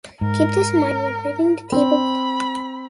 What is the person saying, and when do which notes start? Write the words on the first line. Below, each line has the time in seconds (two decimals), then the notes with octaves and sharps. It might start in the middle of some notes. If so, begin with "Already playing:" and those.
Keep this in mind when reading the table below.
0.21 G#2 A#4
1.72 C4 B5